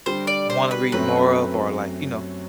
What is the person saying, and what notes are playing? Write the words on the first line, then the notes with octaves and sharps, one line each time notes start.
wa wanna read more of or, like, you know.
D3 G3 D4 C5
D5
C5
B4
F#2 F#3 A3 C4 B4